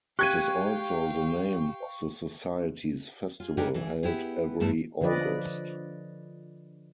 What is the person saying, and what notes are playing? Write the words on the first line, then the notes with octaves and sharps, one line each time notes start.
It is also the name of the society's festival, held every August.
G4 F5 G5 C#6 F#6 G#6 D#7
F4 G#4
B3 D4 D#4 G4 G#4 A#4
E3 G#4
B3 E4 G4 G#4
G2 A3 E4 A5
D3 F3 B4 D5 D#5